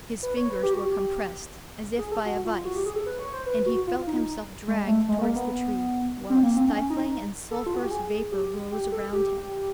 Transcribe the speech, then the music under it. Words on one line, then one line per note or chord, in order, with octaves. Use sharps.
His fingers were compressed as if by a vice, and he felt himself dragged towards the tree, while a stifling and sulphurous vapour rose around him.
B4
C#5
B4
G4
F#4
G4
G#4
A4
F#4
F4
F#4
G4
G#4
A4
B4
C#5
C5
B4
F#4
F4
D#4
G#3
A3
G#3
A#3
B3
C4
A#3
C4
C#4
D#4
A4
F4
F#4
G4
G#4
G4
G4
A4
G4